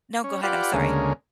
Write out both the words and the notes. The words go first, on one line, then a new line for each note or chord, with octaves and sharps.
No, go ahead, I'm sorry.
C#4
F4 G4 B4 D5 F#5
D2 C#3 G#3 A#3